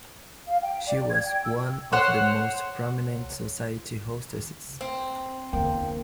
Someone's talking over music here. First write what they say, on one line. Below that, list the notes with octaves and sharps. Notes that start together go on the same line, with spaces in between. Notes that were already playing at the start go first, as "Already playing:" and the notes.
She was one of the most prominent society hostesses.
F5
G5
D5
G#6
G5
E6
C5 C#5 F#5
C4
E2 D3 A#3 G5